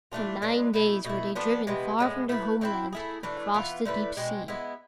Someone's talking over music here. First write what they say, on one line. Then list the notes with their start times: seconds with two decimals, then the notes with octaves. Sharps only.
For nine days were they driven far from their homeland, across the deep sea.
0.12 E3 A3 D4 F4
0.42 G#3 D4 F4 B4
0.74 B2 A3 E4
1.05 B2 A3 E4
1.35 F3 B3 D4 A4
1.67 C3 E3 G#3 B3
1.99 A2 G#3 B3
2.29 A3 E4 B4
2.61 E3 A3 C4 E4
2.93 A3 E4 G#4
3.23 E3 A3 D4
3.54 E3 B3 F4
3.85 D3 A3 E4 B4
4.17 B2 G#3 C4
4.48 G#3 B3 E4